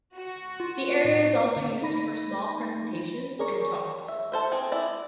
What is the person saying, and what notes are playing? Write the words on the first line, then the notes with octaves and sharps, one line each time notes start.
The area is also used for small presentations and talks.
F#4
F4
A2
D3
D#4 B5 A#6
G#4 A#4 C#5 D5 A#5 C#6
E5
A4 C5 E5
C4 G#4
E4 D5